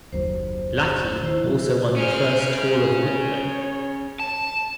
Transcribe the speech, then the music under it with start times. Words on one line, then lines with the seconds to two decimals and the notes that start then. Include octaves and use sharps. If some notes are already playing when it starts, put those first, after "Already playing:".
Lackey also won the first Tour of Wicklow.
0.12 F#1 D#2 F#3 C5
1.23 D#3 E4 C5
1.44 C3 F#3 F#4
1.96 C#4 G#4 C5 F6
3.06 C#5
4.20 A5 E7